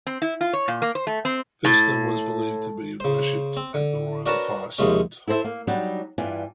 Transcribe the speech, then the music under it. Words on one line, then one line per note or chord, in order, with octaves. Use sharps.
Vesta was believed to be worshiped at the royal fireside.
C4
E4
F4
C#5
A#2
A#3
C5
A3
C4
A2
C#3 C5
C4
D3
D4 F#4 A#4 B4 C#5 A5
D#2 C3 F3 G#3 C#4
E4 A4 C5 D5 E5
A#3
F#3 G3 D4 D#4
G2 E3 F4 D5 G#5